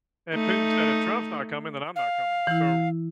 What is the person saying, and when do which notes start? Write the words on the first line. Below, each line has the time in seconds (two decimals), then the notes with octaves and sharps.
And Putin said, "If Trump's not coming, then I'm not coming." So
0.34 A3 D#4
1.96 F5
2.47 E3 E4